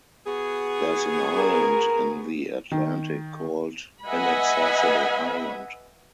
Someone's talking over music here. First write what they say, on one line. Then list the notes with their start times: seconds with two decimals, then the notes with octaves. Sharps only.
There’s an island in the Atlantic called Inaccessible Island.
0.27 B3 F#4 G#4
1.37 A#4
2.71 D#3
4.05 B4 D#5 E5 F#5 G#5 B5